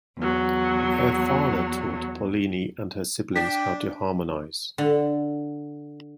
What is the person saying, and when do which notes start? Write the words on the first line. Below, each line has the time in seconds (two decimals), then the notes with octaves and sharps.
Their father taught Paulini and her siblings how to harmonise.
0.18 E2 F#3
3.36 D4 G5 B6
4.78 D3